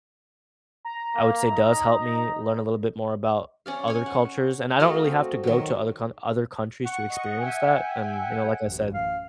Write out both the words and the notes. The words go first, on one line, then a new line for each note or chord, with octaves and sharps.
I would say does help me learn a little bit more about other cultures, and I don't really have to go to other count other countries to experience that, and, you know, like I said,
A#5
A#3
D#4
C#4 D5 F5
C#5 G#5
F#5
A3 F#4 D#5 F5
C4
D#3 F#3
F#5 C#6
D#5 C#6
E5 G5 G#5
A1 F#2
F5